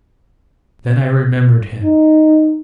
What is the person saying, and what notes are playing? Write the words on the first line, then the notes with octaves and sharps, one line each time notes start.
Then I remembered him.
D#4